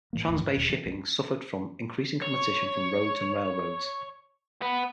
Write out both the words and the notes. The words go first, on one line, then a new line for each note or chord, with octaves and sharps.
Trans-bay shipping suffered from increasing competition from roads and railroads.
A2 E3 A#3
F#1 D#2 A2
G#2
E1 D#2 B2 D#3
E3
C2
C#5
B3